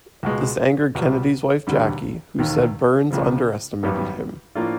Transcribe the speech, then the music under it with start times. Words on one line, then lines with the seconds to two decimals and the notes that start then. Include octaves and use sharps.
This angered Kennedy's wife Jackie, who said Burns "underestimated" him.
0.23 C#2 B2 G#3
0.95 C#2 B2 G3
1.67 E1 D#2 D3 G3
2.39 E1 D#2 D#3
3.11 C#2 C#3 F3
3.83 G#1 F#2 D#3 G3 B3
4.55 A2 F3 A#3 D4 F4